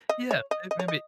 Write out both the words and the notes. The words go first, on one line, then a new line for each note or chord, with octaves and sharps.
yeah, may maybe
D#5
C#5
D#5
D#5
C#5
D#5